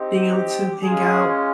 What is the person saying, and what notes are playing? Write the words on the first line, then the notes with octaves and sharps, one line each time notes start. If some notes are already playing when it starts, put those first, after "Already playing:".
being able to hang out.
Already playing: C4 D#4 G4
G4
G#3 C#4 F4 G#4